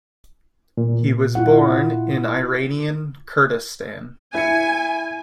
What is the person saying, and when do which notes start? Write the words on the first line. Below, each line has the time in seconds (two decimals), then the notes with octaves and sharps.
He was born in Iranian Kurdistan.
0.77 A#2
1.35 E4 F4 F#5
4.35 E4 G#5 C#7